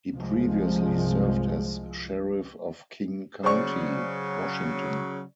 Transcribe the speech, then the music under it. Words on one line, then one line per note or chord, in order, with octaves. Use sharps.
He previously served as sheriff of King County, Washington.
G1 C2 F3 G#3
C#3 F#3 C5 D5 C#6